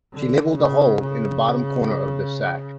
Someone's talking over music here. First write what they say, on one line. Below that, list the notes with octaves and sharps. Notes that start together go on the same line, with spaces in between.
She nibbled a hole in the bottom corner of the sack.
D3
C#3
C#3